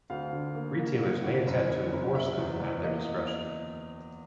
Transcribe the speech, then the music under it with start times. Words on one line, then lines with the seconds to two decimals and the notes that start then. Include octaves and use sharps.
Retailers may attempt to enforce them at their discretion.
0.10 D2 F5
0.33 D3
0.55 A#3
0.78 A#3
1.01 A#3
1.24 D2
1.47 F#1
1.69 F#1
1.92 F#1
2.15 F#1 E5
2.38 E2
2.60 E2
2.83 A#3 D#5